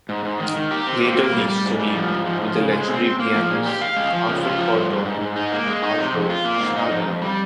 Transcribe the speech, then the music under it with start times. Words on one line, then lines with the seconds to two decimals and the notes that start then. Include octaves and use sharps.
Later he studied with the legendary pianists Alfred Cortot and Artur Schnabel.
0.09 G#2
0.25 G#2
0.40 D#3
0.56 D#3
0.71 G4
0.87 C4
1.02 A#3
1.18 A#3
1.33 G3
1.49 G3
1.64 G#2
1.79 G3
1.95 F3
2.11 G#2
2.26 F3
2.42 F3
2.57 C#3
2.73 G#3
2.88 C4
3.04 C4
3.20 A#3
3.35 F3
3.51 A#2
3.66 G4
3.81 F5
3.96 G#3
4.13 F3
4.28 C#3
4.43 F4
4.59 F3
4.74 G2
4.90 G2
5.05 G#2
5.21 G#2
5.36 D#4
5.52 A#3
5.67 G#3
5.82 D#4
5.98 C3
6.13 F2
6.30 F4
6.45 A#3
6.60 G#2
6.76 D#4
6.91 F2
7.07 F2
7.22 G3